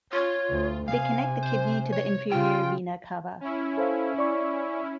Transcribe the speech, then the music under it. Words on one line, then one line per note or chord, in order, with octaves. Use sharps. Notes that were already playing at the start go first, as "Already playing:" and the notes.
They connect the kidney to the inferior vena cava.
F4 C#5
D2
C3 F5 G#5
C5
C#5
C#3 F4 G5
C#4 E4
A4 C5 F5
D5 C#6